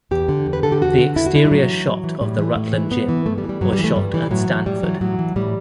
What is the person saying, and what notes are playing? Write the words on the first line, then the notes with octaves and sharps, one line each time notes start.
The exterior shot of the Rutland gym was shot at Stanford.
E2 G4
D3
E2
B4
D3 A4
G4
E2 F#4
D3
E2 E4
F#4
D3 E4
G3
A2 F#3
E3
A2
E3
A2 G3
E3 G3
A2 A3
E3
G2 B3
E3
G2 A3
G3
E3
G3
G2 F#3
G3
E3
A3
G2 G3
E3
A2 F#3
E3
A2 G3
E3 F#3
A2 F#3
E3
A2 G3